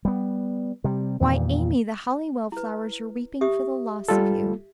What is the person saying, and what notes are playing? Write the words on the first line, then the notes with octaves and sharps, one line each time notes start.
'Why, Amy, the Hollywell flowers are weeping for the loss of you!
G3 B3
C3 G3
E2 G2 A#2 D#3
E4 B4
G4 E5 D#6
G3 F4 A4